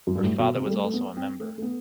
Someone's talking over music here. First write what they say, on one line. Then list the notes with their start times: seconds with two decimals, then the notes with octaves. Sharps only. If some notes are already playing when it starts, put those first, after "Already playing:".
Her father was also a member.
0.07 F#2
0.15 G2
0.24 A2
0.39 B2
0.55 C3
0.65 G3
0.70 A3
0.84 A3
0.93 B3
1.17 C4
1.40 A3
1.58 A3
1.62 B3